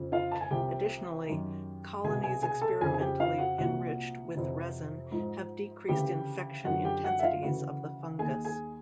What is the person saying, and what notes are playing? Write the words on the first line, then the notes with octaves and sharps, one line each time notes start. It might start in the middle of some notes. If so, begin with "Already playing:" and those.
Additionally, colonies experimentally enriched with resin have decreased infection intensities of the fungus.
Already playing: F2 C#3 F3
F4 F5
A5
G#5
C2 C3 F3 G4 G5
F#2 D#3
C2 B2 G#4 G#5
G#4 G#5
G#4 G#5
A4 A5
F2 C#3 F3 G#4 G#5
G#5
G4 G5
F4 F5
F#4 F#5
C2 A#2 F3 F#4 F#5
F2 C3 E3
G#2 F3
D2 C#3 E3 G4 G5
F#2 D3 F3 F#4 F#5
G4 G5
F#4 F#5
E5
F4 F5
D2 C#3 E3 F#4 F#5
D#2 D#3 G#4 G#5
G#4 G#5